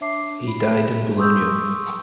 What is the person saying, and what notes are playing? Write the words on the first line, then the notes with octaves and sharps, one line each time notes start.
He died in Bologna.
D4 C#5 E5 A5 D6 C7
B5
C6 C#6 D#6 E6 G6